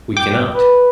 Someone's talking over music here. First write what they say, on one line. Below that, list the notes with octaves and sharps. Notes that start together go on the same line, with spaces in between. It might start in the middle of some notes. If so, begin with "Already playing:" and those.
We cannot.
G5 D6
B4